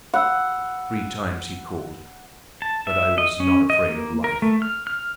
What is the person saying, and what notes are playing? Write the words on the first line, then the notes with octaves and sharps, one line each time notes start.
Three times he called--but I was not afraid of life.
F#5 B5 E6
A5
E5
D#5
C#4
D#5
A#3
A#4
A3
F6
F6